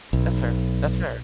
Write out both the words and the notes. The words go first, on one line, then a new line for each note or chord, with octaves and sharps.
That's fair that's fair,
B1